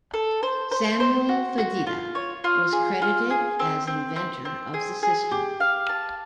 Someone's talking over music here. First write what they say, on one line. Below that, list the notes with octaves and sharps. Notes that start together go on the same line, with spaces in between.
Samuel Fedida was credited as inventor of the system.
A4
C5
C5
C5
F#4
F#4
F4
C#5
F4
G#4
F4
G#4
C4
C4
C4
C4
G#4
G#4
G4
F5
A5